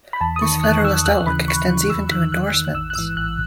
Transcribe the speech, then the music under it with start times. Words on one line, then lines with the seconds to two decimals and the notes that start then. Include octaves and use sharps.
This federalist outlook extends even to endorsements.
0.13 B5
0.21 E2 A5
0.36 D#6
0.42 D#3 C#6
0.63 E2 F#6
0.84 D#3 E6
1.06 D#2 F#6
1.26 C#3 E3 B5
1.48 D#2 C#6
1.69 C#3 E3
1.90 E2 E6
2.11 D#3 F#6
2.32 E2 F#6
2.54 D#3 E6
2.65 F#6
2.74 A1 E6
2.90 F#6
2.95 G#2 E3 E6
3.17 A1 F#6